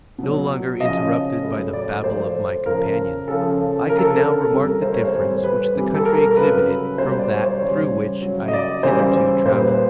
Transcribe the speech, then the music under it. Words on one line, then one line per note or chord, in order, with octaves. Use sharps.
No longer interrupted by the babble of my companion, I could now remark the difference which the country exhibited from that through which I had hitherto travelled.
B2 F#3
C#3 F3 D#5
A2 F#3
D5
A2 F3 C5
C#3 F3 A#4
C#3 F3 A4
C#3 F3 A#4
A4
A#4
C3 E3 G3 A4
A#4
C5
C#5
C5
A2 E3 G3
B4
C3 E3 G3
A4
A#4
A#4
C#3 F#3 B4
B2 G3 C5
D5
C#5
C5
C#3 E3 G3 C#5
C#3 F#3
D#5
D5
C#3 E3 G3 C5
A#2 G3 C5
B4
C5